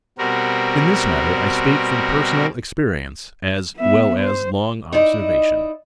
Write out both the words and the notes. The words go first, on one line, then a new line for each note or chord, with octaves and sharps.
In this matter I speak from personal experience as well as long observation.
B2 G3 C4 F#4 A#4
B3 E5
C5
D#4 E4 D5 D#5